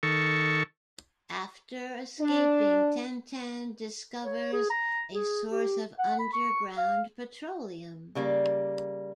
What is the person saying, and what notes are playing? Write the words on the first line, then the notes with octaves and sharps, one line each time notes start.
After escaping, Tintin discovers a source of underground petroleum.
D#3 A4 C#6
D4
C#5
G#4
A#5
G#4
G4
F#5
B5
C#6
F5
C#3 G3 A#3